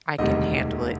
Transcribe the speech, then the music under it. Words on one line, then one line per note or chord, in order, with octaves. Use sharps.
I can handle it.
E1 D2 C3 D#3 G3 D#5